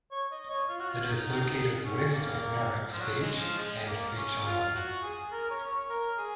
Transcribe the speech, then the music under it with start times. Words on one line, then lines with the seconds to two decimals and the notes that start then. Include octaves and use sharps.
It is located west of Merricks Beach and French Island.
0.11 C#5
0.32 D#5
0.50 C#5
0.69 F4
0.80 F#4
0.89 F4
1.08 D#4
1.85 C#4
2.13 A#3
2.92 F3
3.00 F#3
3.20 G#3
3.39 F3
3.58 G#3
3.87 A#3
4.16 C#4
4.45 F4
4.74 F#4
5.02 G#4
5.32 A#4
5.50 C#5
5.70 C#5
5.89 A#4
6.18 G#4